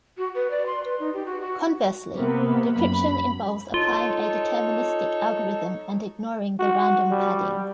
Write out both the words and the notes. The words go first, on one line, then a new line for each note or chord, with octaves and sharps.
Conversely, decryption involves applying a deterministic algorithm and ignoring the random padding.
F#4
B4
D5
C6
B4
D#4
G4
F#4
F#4
C3 A#3 B3
F#2 B5
D#4 F4 A4 C#5
F#4
G3